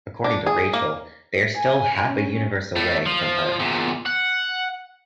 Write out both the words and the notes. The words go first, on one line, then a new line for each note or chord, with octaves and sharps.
According to Rachel, they are still "half a universe away" from Earth.
D4
G#4
A#3
G#5
C#4
A2 A3
F3
E2 A#2
F#5